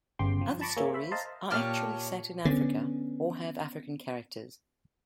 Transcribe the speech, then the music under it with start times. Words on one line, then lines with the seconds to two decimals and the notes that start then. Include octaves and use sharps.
Other stories are actually set in Africa or have African characters.
0.19 G1 C#3 B3 G4 G5 C6
0.41 F3
0.61 A5 B5 C#6 D6 A#6
0.77 A#3 G#4 C#5 E5
0.93 C5 E5 B5
1.11 C5 D#5 F5 A5 A#5 C6
1.51 A#2 G4 C#5 A5 F6
2.45 D3 B3 C#4